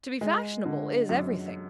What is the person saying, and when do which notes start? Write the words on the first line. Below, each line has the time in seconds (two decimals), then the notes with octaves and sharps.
To be fashionable is everything.
0.21 G#3
0.66 D3
1.09 F#2